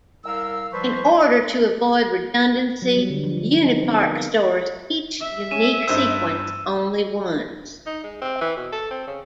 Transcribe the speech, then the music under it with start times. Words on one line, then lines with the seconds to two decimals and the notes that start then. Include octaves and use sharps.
In order to avoid redundancy, UniParc stores each unique sequence only once.
0.25 C2 A#4 F5 E6
0.72 C2 F3 G3 B4 C5 C#6
2.82 F#3
2.97 G3
3.10 D3
3.23 F3
3.37 D3
3.56 D#4
3.69 C4
3.83 B3
4.01 A#4
4.16 F5
5.21 E5
5.51 C#4 D#7 E7
5.88 G2 C5 E6
7.86 D#4
8.04 G#3
8.22 C4
8.41 E3
8.57 B2
8.73 A4
8.91 C4
9.07 C#3